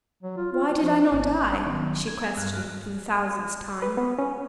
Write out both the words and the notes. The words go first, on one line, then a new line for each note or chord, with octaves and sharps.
"Why did I not die?" she questioned, for the thousandth time.
F#3
F4
F4
D4
F3
G#1 B3 C4
D#3 F#3 B3 C#4
G#6
G2 G3 F6 F#6
B4
B3
C#4